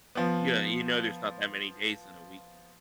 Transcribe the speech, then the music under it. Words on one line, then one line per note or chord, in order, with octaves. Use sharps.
Yeah, you know, there's not that many days in a week,
F3 B3